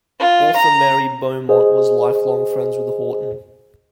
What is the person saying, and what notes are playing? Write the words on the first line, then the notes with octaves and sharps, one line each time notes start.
Author Mary Beaumont was lifelong friends with Horton.
F4
A#5
G#4 C5 D#5